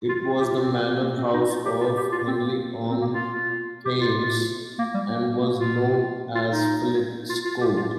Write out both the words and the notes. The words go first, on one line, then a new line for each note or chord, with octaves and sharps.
It was the manor house of Henley-on-Thames and was known as "Fillets Court".
F4
F4
G4
F4
C4
A#3
C4
D#4
F4
G4
F4
G4
F4
C4
A#3
C4
A#3
F4
G4
F4
A#3
G3
A#3
A#3
F4
F4
D#4
F4
F4
G4
F4